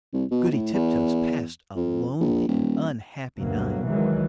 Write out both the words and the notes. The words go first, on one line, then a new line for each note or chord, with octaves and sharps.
Goody Tiptoes passed a lonely and unhappy night.
C2
B2
A2
E2
F2
A#1
D#1
G1 D2 B2 F#3 A#3
C#2 D#3 E3 F#3 G#3